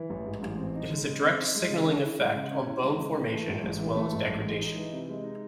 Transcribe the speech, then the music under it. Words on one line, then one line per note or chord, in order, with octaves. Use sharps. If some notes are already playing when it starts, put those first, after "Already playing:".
It has a direct signalling effect on bone formation as well as degradation.
Already playing: E3
A1
G#2
A1
C4
D#4
G#3
C#3
C4
D#4
G#3
C#3
C#4
E4
G#3
C#3
C#4
E4
G#3
C#3
E3
A3
G#2
A1
E3
A3
G#2
A1
G#3
D#4
E3
C3
G#3
D#4